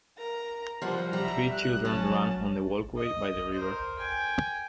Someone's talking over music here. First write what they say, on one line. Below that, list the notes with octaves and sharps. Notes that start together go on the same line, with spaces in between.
Three children run on the walkway by the river.
A#4 A#5
F3 G3 C5 F#5
G3 E5 A#5
F#6
F#3 C#4 A5
D#5
A#4 C5
G5 G#5